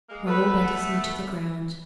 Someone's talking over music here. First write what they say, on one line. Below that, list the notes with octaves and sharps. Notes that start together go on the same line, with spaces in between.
Raoul bent his knee to the ground.
G#3 A#3
A3 B3 B4